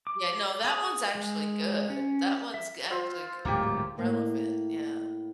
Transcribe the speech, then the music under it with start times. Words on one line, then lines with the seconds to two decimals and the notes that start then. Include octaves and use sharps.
Yeah, no, that one's actually good, that one's g actually g r relevant, yeah.
0.07 D6
0.65 G#4
1.15 G#3
1.90 C#4
2.54 E5
2.90 F4 C5 E6
3.45 D1 G#2 A#3 G4
3.98 A2 A#3